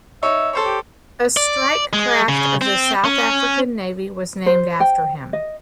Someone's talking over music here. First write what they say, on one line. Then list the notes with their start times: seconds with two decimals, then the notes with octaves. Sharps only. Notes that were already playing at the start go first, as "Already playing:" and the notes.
A Strike Craft of the South African Navy was named after him.
0.23 D#4 C#5 E5
0.53 A4 C5 C#5
0.65 G4
1.37 D5
1.93 G#3
2.29 C#3
2.61 C4
3.05 C#4
4.46 C5
4.80 G5
5.33 D#5